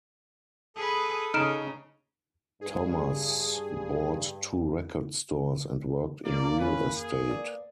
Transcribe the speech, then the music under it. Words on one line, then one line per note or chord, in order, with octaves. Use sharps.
Thomas bought two record stores and worked in real estate.
G#4 A4 B4 D#6
C#3 D#4 F6 D7 E7
G2 G#4
A#3 D5
D#3 C#4 E4 B4
F2 G#4
B4 D5